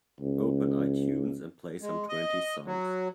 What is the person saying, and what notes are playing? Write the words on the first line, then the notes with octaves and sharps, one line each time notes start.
Open Itunes and play some twenties songs.
C#2
G#3
D#5
F#3